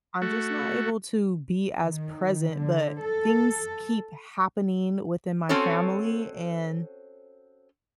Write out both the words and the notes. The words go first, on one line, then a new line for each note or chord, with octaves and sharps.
I'm just not able to be as present, but things keep happening within my family, and
A3 F#4
D#3
D3
A4
C4 C#4 F#4 A4 C5 C#5